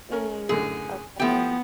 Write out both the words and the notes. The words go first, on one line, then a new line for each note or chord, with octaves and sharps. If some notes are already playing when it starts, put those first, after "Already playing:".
Mm, okay.
C#4 A#4
F#2 A2 D3 G#4
F3 A3 B3 E4 G4 G5